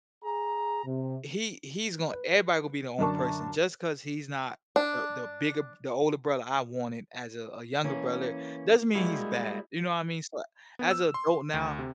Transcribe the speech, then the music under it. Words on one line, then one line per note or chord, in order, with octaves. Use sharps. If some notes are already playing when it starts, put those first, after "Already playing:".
he he's gonna everybody gonna be their own person. Just 'cause he's not the the bigger the older brother I wanted as a a younger brother, doesn't mean he's bad. You know what I mean? So as a adult now
G#4 A#5
C3
B4
F#2 D3 D4 A#4 A5 C#6
D4
E3 A#3 C#4
G3 G#3 A#3 E4 F#4 G#4
B3
E6
C6
D2
C3